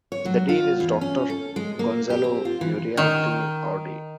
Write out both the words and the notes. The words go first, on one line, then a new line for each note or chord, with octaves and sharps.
The Dean is Doctor Gonzalo Uriarte Audi.
C#5
F#3
F4
E2
C#4
A4
G#3
A#3
G4
C4
F4
E3
D#3